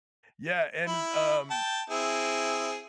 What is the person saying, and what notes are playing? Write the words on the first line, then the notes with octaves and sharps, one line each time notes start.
yeah, and, um
E4 B5
G5 A5
C4 E4 G#4